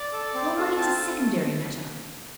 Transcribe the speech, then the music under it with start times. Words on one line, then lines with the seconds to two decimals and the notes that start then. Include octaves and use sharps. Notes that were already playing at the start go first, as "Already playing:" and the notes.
Well, money is a secondary matter.
Already playing: D5
0.13 A4
0.35 C4
0.56 F4 A4
0.77 C4 A5
0.99 F4 A4
1.20 A3